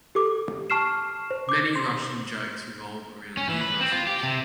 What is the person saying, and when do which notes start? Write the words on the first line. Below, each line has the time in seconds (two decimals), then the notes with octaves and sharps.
Many Russian jokes revolve around New Russians.
0.15 G4 A4 D6
0.70 A5 C#6 F6 C7 E7
1.31 C5
1.49 D6 G6
1.76 C6
3.37 C#4
3.49 E3
3.61 B4
3.81 C4
3.92 F4
4.07 G4
4.23 C3